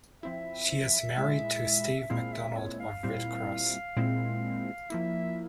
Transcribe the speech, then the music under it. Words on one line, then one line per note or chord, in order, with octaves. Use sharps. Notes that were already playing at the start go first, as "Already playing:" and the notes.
She is married to Steve McDonald of Redd Kross.
F3 C4 E4 E5
A#2 G#3 E4
E5
A#2 G#3 C4 E4 F5
E5
C#5
F5
A#2 G3 C4 E4
A#2 G#3 C4 E4
F3 A#3 E4 E5